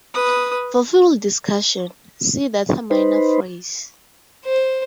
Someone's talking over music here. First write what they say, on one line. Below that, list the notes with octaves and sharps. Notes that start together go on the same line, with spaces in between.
For full discussion, see Determiner phrase.
B4 D#6
D#4 B4 C5
C5